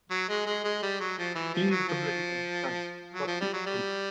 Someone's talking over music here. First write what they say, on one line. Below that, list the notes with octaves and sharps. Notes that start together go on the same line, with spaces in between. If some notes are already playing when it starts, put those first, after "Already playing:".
He's the bloody Antichrist, for Pete's sake.
F#3
G#3
G#3
G#3
G3
F#3
F3
E3
F3
F#3
F3
F#3
F3
G3
F#3
G3